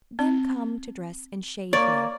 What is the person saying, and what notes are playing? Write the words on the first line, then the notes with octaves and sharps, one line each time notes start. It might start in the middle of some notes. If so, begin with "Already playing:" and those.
"Then come to dress and shave me."
C4
A#3 C#5 D5